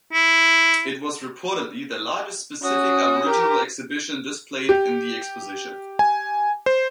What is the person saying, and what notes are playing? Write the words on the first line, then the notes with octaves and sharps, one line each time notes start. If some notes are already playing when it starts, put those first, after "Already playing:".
It was, reportedly, the largest specific Aboriginal exhibition displayed in the exposition.
E4
C#4 F#4 D#6
G4 A#4
G4
G#5
C5